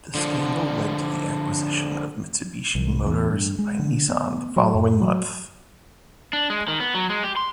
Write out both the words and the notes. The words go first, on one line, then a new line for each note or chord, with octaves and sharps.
The scandal led to the acquisition of Mitsubishi Motors by Nissan the following month.
D3 F3
C2
E2
G2
G#3
D3
B3
F#3
F#2
F#3
D4
G#3
D#3
B3
F#3
G#3
G4
C6